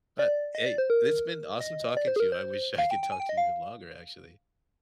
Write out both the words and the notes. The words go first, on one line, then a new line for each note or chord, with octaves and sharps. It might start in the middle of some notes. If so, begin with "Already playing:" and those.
But, hey, it's been awesome talking to you. I wish I could talk to you longer, actually.
D5
D#5
D5
C5
A#4
D#5
D5
C5
G#4
A#4
C5
F5
G5
G5
G#5
G5
D#5
F5